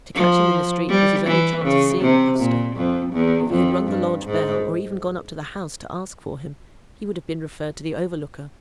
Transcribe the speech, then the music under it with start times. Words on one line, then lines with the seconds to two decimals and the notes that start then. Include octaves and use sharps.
To catch him in the street was his only chance of seeing 'the measter;' if he had rung the lodge bell, or even gone up to the house to ask for him, he would have been referred to the overlooker.
0.15 F3
0.89 G3
1.27 E3
1.64 C#3
2.01 C3
2.39 A#2
2.76 F2
3.13 E2
3.51 F2
3.88 G2
4.25 G#2